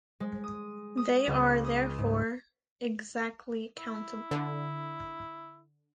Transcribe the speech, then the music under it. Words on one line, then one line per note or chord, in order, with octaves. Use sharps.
They are, therefore "exactly" countable.
G#3
D#6
D#6
C#2
D#6
G#2
E4
D3